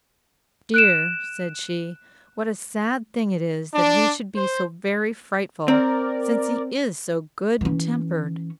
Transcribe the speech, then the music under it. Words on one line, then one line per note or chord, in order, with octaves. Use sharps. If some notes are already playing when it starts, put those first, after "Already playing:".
"Dear!" said she, "what a sad thing it is that he should be so very frightful, since he is so good-tempered!"
F#6 D7 E7
D4
C5
C4 A#4 D5
E3 C#4